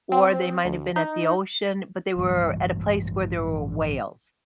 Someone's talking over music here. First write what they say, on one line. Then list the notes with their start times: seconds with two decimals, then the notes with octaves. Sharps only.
or they might have been at the ocean, but they were at a place where there were whales,
0.12 C4
0.65 D2
0.96 D#4
2.18 A1 G2 E3 G3